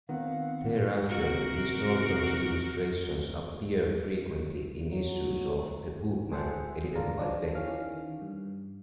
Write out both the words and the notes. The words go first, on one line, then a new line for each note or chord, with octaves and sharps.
Thereafter, Miss Norton's illustrations appear frequently in issues of "The Bookman" edited by Peck.
D#3 B3 C4 F5 F#5
C3 F#4 A#4
F#3
G#4 A4 C5 E5 F#5
G#1 D2 D4 F4 A#4
F3 D4
D#3 E3 C#4 F5
G2